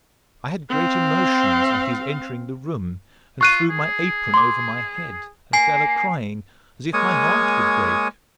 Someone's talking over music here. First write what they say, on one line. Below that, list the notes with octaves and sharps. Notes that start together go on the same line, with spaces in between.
I had great emotions at his entering the room, and threw my apron over my head, and fell a crying, as if my heart would break.
C4 F5
F4 C#6 F#6 D#7
G#4
C6 D6
A#3 G#5 C7
G#3 A#3 C#5 G#5 C#6 D#6